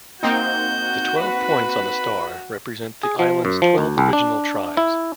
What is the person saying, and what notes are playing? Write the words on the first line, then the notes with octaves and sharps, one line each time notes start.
The twelve points on the star represent the island's twelve original tribes.
A#3 C4 D#4 F#4 G6
B4 B5
G#4
F3
F#2
F3
D2
C2
D4
E4